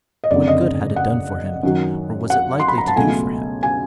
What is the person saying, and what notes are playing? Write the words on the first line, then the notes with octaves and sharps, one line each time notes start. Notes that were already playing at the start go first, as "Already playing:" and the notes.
What good had it done for him, or was it likely to do for him?
D#5
F#1 F2 D3 D5
D#5
F#5
F#2 D#3 F#3
F#5
C6
B5
A#5
A5
C#2 B2 F#3 A3 G#5
G#5